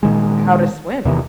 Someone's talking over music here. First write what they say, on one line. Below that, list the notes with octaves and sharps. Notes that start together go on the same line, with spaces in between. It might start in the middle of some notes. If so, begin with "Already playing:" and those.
how to swim.
A#2 D#3 G#3
E2 C3 D#3 E3